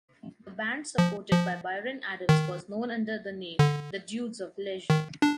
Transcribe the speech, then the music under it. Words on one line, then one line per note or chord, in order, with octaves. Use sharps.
The band supported by Bryan Adams was known under the name “The Dudes of Leisure”.
F3
F3
D#3
D3
D#3
D4